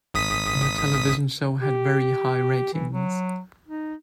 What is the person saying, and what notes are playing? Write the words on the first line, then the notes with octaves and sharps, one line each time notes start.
The television show had very high ratings.
G#1 D#6 B6
G4
E3
F#3
D#4